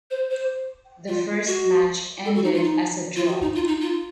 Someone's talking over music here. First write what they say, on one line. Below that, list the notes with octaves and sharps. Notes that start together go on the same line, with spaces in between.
The first match ended as a draw.
C5
C5
F4
F#4
A4
F#4
D#4
F4
D#4
F4
F#4
D#4
F4
D#4
F4